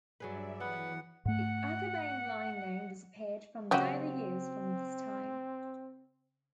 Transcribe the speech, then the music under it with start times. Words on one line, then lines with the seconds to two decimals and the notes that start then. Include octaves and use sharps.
The Akabane Line name disappeared from daily use from this time.
0.20 G2 F#3 G#4 B4 D5 E5
0.60 E3 B3 B4 F#5
1.25 G#2 A3 F#5
3.71 C#3 F#3 C4 F#4 G4 D#5